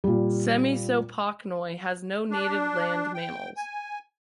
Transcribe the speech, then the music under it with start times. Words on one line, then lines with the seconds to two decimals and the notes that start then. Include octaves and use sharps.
Semisopochnoi has no native land mammals.
0.04 A#2 G3
2.31 D4
3.14 G5
3.57 G#5